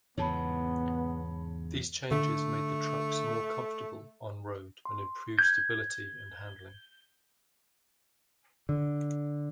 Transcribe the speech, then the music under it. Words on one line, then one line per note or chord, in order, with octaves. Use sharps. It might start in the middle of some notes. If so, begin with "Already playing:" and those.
These changes made the trucks more comfortable on-road, and improved stability and handling.
E2 G#2 C#3 B3 C#5 A5 B5
D3 A3
C6
G6 G#6
D3